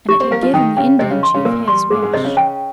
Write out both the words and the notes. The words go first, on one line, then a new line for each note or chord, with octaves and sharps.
And it had given the Indian chief his wish.
G4
C4 C5
A#3 A#4 F5
F3 F4
D#3 D#4 G5
C#3 C#4 G5
C3 C4 D#5
C#3 C#4
C6
C#3 C#4
A#2 A#3 A#4
G3 C6
G#2 G#3 G#4
G#2 G#3
C3 C4 D#5
C#3 C#4
G5